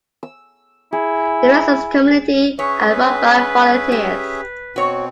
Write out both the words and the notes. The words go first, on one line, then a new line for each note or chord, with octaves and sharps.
The Residents' Committee are run by volunteers.
E6
E4 G#4
C#4 G#4 B4 C#5 E5
B4
G4 B4
B2 C4 F#4 C#5